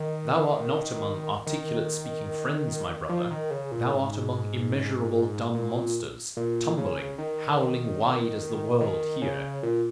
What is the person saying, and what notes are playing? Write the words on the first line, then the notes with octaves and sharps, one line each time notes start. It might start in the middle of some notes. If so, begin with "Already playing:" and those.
Thou art not among articulate-speaking friends, my brother; thou art among immeasurable dumb monsters, tumbling, howling wide as the world here.
Already playing: D#3
D#3
F3
D#3
C#3
A#2
G#2
A#2
A#2
C#3
D#3
D#3
C#3
A#2